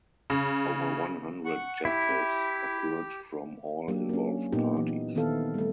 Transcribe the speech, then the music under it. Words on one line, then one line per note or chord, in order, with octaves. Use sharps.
Over one hundred deaths occurred from all involved parties.
C#3
F#5 C#6
E4 G4
F#3 A#3 D4 G4
A#3 C#4
A#2 A#3 B3 D#4 G4
E3
D#3 B3 C4 E4 A4 F5
G3 A3